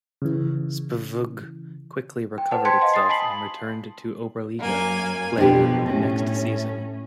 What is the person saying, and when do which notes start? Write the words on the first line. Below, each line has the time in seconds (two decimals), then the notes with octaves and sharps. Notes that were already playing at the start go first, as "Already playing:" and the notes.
"SpVgg" quickly recovered itself and returned to Oberliga play the next season.
0.22 C#3 E3
2.38 G5
2.51 B4 C5 F#5 A5
2.65 G5 A5 C6 G#6 B6 C#7
2.81 D#5 F5 G#5 A5 C6
2.94 C6 D#6 A6 C7
3.09 G#5 A5 B5 B6 C7 F#7
4.59 F#2 A#3 G#5
5.37 F2 B2 D4 G4
5.86 A2 C#4